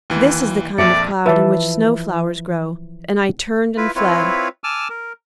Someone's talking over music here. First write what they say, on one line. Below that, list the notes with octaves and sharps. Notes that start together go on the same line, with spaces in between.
This is the kind of cloud in which snow-flowers grow, and I turned and fled.
D#2 E3
A#1 F2 A4 D5 E5 C#7
E3 F3 B4 E5 A5
E4 F4 B4
C4 E4 F4 B4 C#5
G#5 A5 D6 E6 F6
A#4